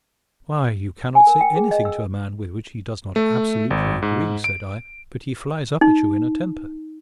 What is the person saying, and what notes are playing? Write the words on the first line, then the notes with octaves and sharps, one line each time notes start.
"Why, you cannot say anything to a man with which he does not absolutely agree," said I, "but he flies up at you in a temper."
G#5
A#4
G5
G#4
D#5
E6
A3
G#1
G#2
D7
D#4